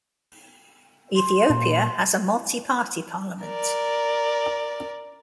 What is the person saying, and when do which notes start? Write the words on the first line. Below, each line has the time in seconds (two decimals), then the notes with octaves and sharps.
Ethiopia has a multi-party parliament.
1.16 C6
1.50 A#2
3.45 A#4 D5